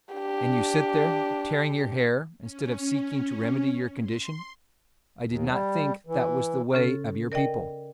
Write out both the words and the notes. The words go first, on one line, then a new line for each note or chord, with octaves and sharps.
"And you sit there, tearing your hair, instead of seeking to remedy your condition; I did not think that was the way of your people."
D4 G4
C#4
C6
D#2
G3
E3
C#3 C#4 A4
A#4 D5 D#5 G5